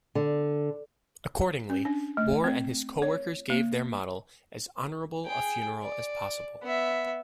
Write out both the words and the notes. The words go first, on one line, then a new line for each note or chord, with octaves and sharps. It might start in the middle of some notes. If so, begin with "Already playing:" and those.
Accordingly, Bohr and his co-workers gave their model "as honorable a funeral as possible".
D3
C#4
D4
A3
C4
C#5
A#3
G#4 G5
D5
B3 E5